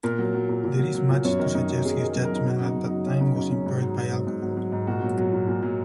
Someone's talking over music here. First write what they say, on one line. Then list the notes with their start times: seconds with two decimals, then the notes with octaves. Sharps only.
There is much to suggest his judgement at that time was impaired by alcohol.
0.03 A#2 A#4
0.19 F#3
0.34 F#3
0.49 A#2
0.64 A#2
0.79 F#3
0.94 F#3
1.10 A#2
1.25 F#2 C#5
1.39 D#3 A#4
1.55 F#2 D#4
1.70 F#3
1.85 F#2 G#4
2.00 D#3
2.05 G#4
2.15 F#2
2.25 A#4
2.30 F#3 D#4
2.45 F#2 F#4
2.60 C#3
2.66 D#4
2.75 F#2
2.86 F#3 D#4
3.06 F#2 C#4
3.21 C#3 D#4
3.36 F#2 D#4
3.51 F#3 C#4
3.66 G#2 D#4
3.81 F#3
3.96 F#3
4.12 G#2
4.27 G#2
4.42 F#3
4.57 F#3
4.72 G#2
4.87 A#2 F#4
5.02 F#3
5.17 F#3
5.33 A#2
5.48 A#2
5.63 F#3